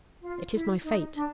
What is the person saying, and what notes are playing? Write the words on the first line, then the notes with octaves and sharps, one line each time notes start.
It is my fate.
F4
E4
D#4
D4